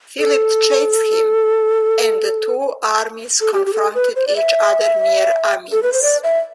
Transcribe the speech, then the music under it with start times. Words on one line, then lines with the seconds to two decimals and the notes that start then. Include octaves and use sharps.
Philip chased him, and the two armies confronted each other near Amiens.
0.19 A4
3.41 A4
3.53 G4
3.66 G4
3.73 A4
3.95 B4
4.16 C5
4.27 D5
4.36 E5
5.72 A4
5.83 B4
5.93 C5
6.03 D5
6.24 E5